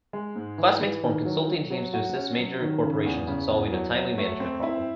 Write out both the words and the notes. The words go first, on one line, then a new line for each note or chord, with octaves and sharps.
Classmates form consulting teams to assist major corporations in solving a timely management problem.
G#3
G#2
E3
E3
D#3
F#3
F#3
F#3
F#4
C#4
F#3
D#3
C#3
E2
C#3
E2
F#3
F#3
A3
C4
E4